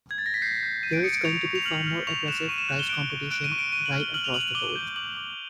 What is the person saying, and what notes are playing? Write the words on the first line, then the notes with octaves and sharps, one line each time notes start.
There is going to be far more aggressive price competition right across the board.
G#6
A6
A#6
B6
G6 C7
G6
G6 D#7
D7
D#6 C#7
D7
C#6 F7
C#6
F7
F6 F#7
F6
C#6 F7
F#6 E7
C#6 D#7
E7
F#6 E7
G7
F#6 D7
C#6
F#6 D7
D#7
C#6
D7
C#6 D#7
F#7
F6
G7
F6 F#7
F7
F6 F#7
D6 G7
G6
D6 F#7
D6